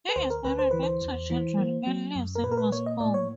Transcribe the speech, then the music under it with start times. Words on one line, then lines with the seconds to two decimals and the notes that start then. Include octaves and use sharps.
He is married with two children, and lives in Moscow.
0.09 B4
0.16 D2 C5
0.30 A#4
0.45 D2 B4
0.59 C5
0.71 E3 B4
0.83 C5
1.01 E2
1.30 E3
1.58 A#3
1.87 F#3
2.16 F#2
2.35 A#4
2.44 A#2 B4
2.51 A#4
2.57 B4
2.72 A#3 C#5
2.86 D#5
3.00 A2 D5
3.14 C#5